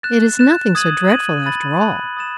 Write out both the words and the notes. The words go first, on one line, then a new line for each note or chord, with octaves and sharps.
'It is nothing so dreadful after all!
F#6 A6 E7
F#6 A6 E7
D#6 G#6 D#7 F#7
D#6 G#6 D#7 F#7
B5 F#6 A6 D#7 F#7
B5 F#6 A6 D#7 F#7
D#6 A6 E7